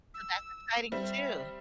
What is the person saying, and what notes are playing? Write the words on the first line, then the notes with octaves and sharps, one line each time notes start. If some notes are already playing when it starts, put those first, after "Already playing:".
So, that's exciting too.
E6
G3 C4 E5